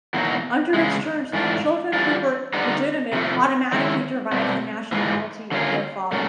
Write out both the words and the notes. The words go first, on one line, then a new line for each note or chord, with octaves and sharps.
Under its terms children who were legitimate automatically derived the nationality of their father.
E2 B2 F#3 A#3 D#4
E2 C#3 G#3
G#2 E3 A3 D4 F4
E3 G3 B3 D4 F4
D3 G3 B3 D#4
C3 F3 A3
D#3 G#3 C#4 E4
B2 G3 C4
G#2 E3 G#3 F4
D3 F#3 A#3 C#4 F4
A#2 F#3 A3 C#4